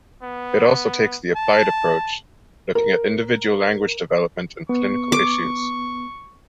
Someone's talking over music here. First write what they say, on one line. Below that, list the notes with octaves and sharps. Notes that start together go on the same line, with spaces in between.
It also takes the applied approach, looking at individual language development and clinical issues.
B3
A5
A#4
B3 C#6
D6